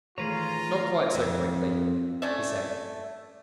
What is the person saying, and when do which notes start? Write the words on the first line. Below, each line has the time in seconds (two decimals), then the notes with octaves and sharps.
"Not quite so quickly," he said.
0.18 D#3 E3 A3 F4 G#4 B4 C#5 A#5
1.15 F2
2.22 A3 C#4 D5 E5